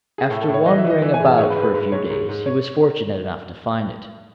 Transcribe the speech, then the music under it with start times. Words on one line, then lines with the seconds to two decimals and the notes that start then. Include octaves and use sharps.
After wandering about for a few days, he was fortunate enough to find it.
0.18 G#4
0.30 A2 A4
0.42 A4
0.49 A2
0.54 C#5
0.66 E3 D#5
0.78 E5
0.84 E3
0.90 D#5
1.02 E3 E5
1.14 G#5
1.20 G#2
1.26 A5
1.38 G#2 C#5
1.50 B4
1.56 G#2
1.62 B4
1.74 G#2 B4
1.92 G#2 C#5
2.10 G#2
2.29 G#2
2.46 C#5